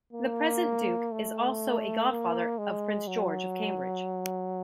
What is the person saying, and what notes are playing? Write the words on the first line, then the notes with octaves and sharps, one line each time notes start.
The present Duke is also a godfather of Prince George of Cambridge.
A#3
A3
A#3
G#3
F#3